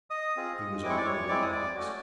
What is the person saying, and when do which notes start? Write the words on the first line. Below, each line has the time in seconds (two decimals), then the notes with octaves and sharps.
He was in a moving box.
0.10 D#5 D#6
0.36 C4 F4 G#4
0.82 G#3 C4 E4 D6
0.90 C#6
0.97 D5 D6
1.05 C#5 C#6
1.29 G#3 C4 E4 D5 D6
1.42 D#6
1.52 D5 D6
1.75 A3 C#4 F#4